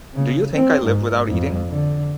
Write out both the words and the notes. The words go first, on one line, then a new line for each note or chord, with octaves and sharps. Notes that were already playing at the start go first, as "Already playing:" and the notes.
Do you think I live without eating?
C#3
C4
G#2
F2
D3